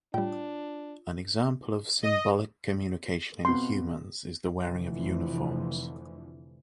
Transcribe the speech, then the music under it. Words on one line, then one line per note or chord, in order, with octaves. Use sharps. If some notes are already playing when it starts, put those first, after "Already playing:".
An example of symbolic communication in humans is the wearing of uniforms.
A2 G3 D4 F4 C#5 G5
D#5
F2 B2 C6
F1 D3 E3 F3